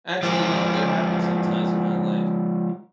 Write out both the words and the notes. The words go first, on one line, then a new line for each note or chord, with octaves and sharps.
actually, no, there have been some times in my life
F3 G#3 G4 A#4 C5